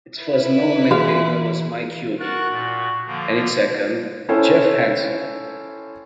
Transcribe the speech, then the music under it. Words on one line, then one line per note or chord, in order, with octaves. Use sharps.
Its first known maintainer was Mike Hughey, and its second, Jeff Hansen.
E4 B4
E3 F#4 G#4 F5
F#4 A#4 F#6 A6
A#2
D3 F3 A#3
C#4 E4 A4 C5 G5 G#5